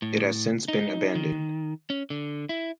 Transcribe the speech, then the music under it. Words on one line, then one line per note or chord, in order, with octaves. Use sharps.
It has since been abandoned.
A2
D#4
D#3
C#4
D3
E4